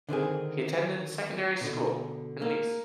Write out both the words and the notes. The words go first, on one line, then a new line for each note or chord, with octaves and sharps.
He attended secondary school in Lecce.
D3 D#3 C4 G#4
B2 D3
A#3